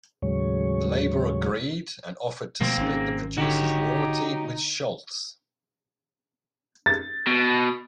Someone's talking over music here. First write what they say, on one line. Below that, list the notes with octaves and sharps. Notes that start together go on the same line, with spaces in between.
The label agreed, and offered to split the producer's royalty with Scholz.
D#2 A2 C#3 F#3 G#3 C#5
B2 F3 A3 A#3 C4
G#1 G#2 C#4
D3 D#4 F#4 G4 C#5
A6
B2